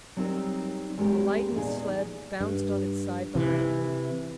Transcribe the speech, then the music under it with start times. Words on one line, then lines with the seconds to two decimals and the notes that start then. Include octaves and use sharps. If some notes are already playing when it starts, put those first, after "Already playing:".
The lightened sled bounded on its side behind them.
0.17 F#3 G3 C4 D#4 A#4
0.97 E2 G#3 C#4 G4 A#4
1.55 E2 A#2 D#4 G#4
2.41 G2
3.35 C3 E3